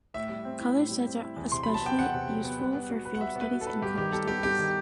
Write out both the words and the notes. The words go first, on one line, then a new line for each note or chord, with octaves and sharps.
Colors sets are especially useful for field studies and color studies.
A2 E5
G3
C4
E4
A2
G3
C4
E4
E2
C3 C6
F#3 B5
A5
B3 G5
E2 F#5
C3
F#3
B3
G3
B3
F#4
B4
F#5
G3 E5
B3
B4
F#4
A4
B4
G2 G4
D#3 G4
G3 A4
B3 G4
G2 G4
D#3